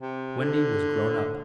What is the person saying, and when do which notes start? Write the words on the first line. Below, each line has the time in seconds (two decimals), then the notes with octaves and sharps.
Wendy was grown up.
0.01 C3
0.38 D3